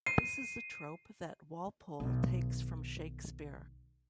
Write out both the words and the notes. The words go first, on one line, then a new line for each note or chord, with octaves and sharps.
This is a trope that Walpole takes from Shakespeare.
C7 D#7
B1 D#3